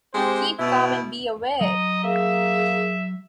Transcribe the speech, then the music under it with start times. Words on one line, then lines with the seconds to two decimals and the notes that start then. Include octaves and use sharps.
Keep calm and be aware!
0.14 G#3 C4 G4 C5
0.59 B2 E4
1.61 F#3 D#5 A#5
2.04 A#3 G#4 E5